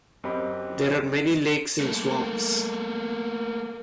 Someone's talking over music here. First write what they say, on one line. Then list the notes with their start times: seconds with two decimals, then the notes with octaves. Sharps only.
There are many lakes and swamps.
0.24 F#2 C4 G4 D#5 B5
1.80 A3 A#3